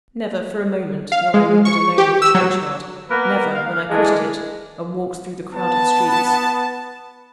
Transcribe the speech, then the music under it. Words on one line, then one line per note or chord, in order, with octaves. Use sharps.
Never for a moment, while I lingered alone in the churchyard; never, when I quitted it, and walked through the crowded streets.
F5
G#3
C#6
G4
E6
F#3
A#3 B3 A#4 B4
F5
E3 G#3 D4
B3 A5